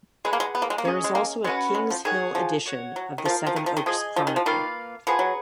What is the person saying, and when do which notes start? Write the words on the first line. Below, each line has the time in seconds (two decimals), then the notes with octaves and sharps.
There is also a King's Hill edition of the Sevenoaks Chronicle.
0.25 G#3 G#4 B4 F#5
0.33 A#3
0.40 G#3
0.55 B3
0.62 A#3
0.70 G#3
0.78 A#3
0.85 C#4 G#4 D#5
1.04 G#3
1.15 A#3
1.44 G#3 C#4 F#4 B4 F#5
1.75 G#3
1.90 F3
2.05 D#3 G#4 C#5 F#5
2.35 F3
2.66 F#4 C#5 F#5
2.96 F#3
3.18 D#3
3.25 F3 F4 A#4 F5
3.47 F3
3.56 D#3
3.66 F3
3.77 D#3
3.86 F3 G#4 D#5 G#5
4.16 F3
4.27 D#3
4.36 F3
4.46 D#3 A#3 F4 B4 F5
5.07 F3 G#4 B4 F#5
5.19 F#3